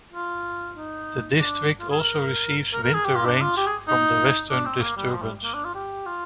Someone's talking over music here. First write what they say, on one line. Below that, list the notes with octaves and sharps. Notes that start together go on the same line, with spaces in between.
The district also receives winter rains from the western disturbance.
F4
D#4
D4
F4
G#4
A#4
A#4
A#4
G#4
G4
F4
D4
F4
G4
G#4
D#4
D4
C4
A#3
G3
F3
G3
A#3
D4
F4
G4
F4